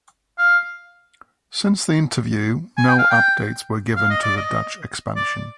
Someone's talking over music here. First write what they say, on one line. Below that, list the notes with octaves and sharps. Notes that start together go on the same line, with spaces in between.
Since the interview no updates were given to the Dutch expansion.
F5
G#5
G5
F5
G5
F5
D#5
D5
D#5
D5